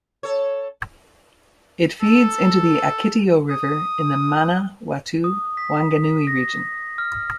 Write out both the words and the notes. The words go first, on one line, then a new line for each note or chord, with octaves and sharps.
It feeds into the Akitio River in the Manawatu-Wanganui region.
A4 C#5
A4
D#6
D#6
B6
A#6
F6